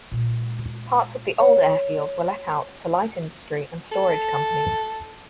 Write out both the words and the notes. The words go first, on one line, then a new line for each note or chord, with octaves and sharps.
Parts of the old airfield were let out to light industry and storage companies.
A#2 G#3
C#5
A4